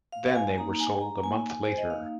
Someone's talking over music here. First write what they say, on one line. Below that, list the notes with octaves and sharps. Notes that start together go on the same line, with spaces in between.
Then they were sold a month later.
F5
F5
G#5
A#3 D#4 A#5
G#5
A#5
A#3 D#4 G#5
C5
D#5
A#3 D#4 F5